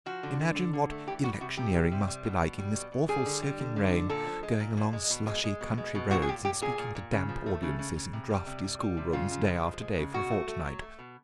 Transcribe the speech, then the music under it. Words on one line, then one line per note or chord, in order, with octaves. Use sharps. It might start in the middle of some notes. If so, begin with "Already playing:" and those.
Imagine what electioneering must be like in this awful soaking rain, going along slushy country roads and speaking to damp audiences in draughty schoolrooms, day after day for a fortnight.
F3 F#4
D3
D3
D3
D3
A3
E3 G4
G3 F#4
C3 F#4
C3 G4
G3
C3
G3
B2
B2
G3
B2
B2
G3 G#4
D3
G3
D3
D3
D3
A#2 A4
F3
G#3
A#2
A#2
G#3
B2
G#3
G#3
B2
G#3
B2
A#2 F#4
G#4
A#2 G4
A#2 G4
A#2 G#4
A#2
A#2
C#3
F3
A3
C#3
C#3
C#3
C3
G3
C3
G3
G3
C3
C#3 F4
C#3
F3
G#3
G#3
C#3
B2 F#4
A3
A3
F#3
A3
B2